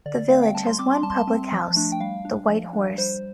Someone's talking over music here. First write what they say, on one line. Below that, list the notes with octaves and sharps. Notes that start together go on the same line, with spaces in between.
The village has one public house, "The White Horse".
D3 D5
D5
A3 C4 F5
G5
G3 A5
C6
C4 D6
C6
G3 A5
C6
A5
C4
F3
A3 D4
G5
G3 F5
D4
F3
D4
G3 C5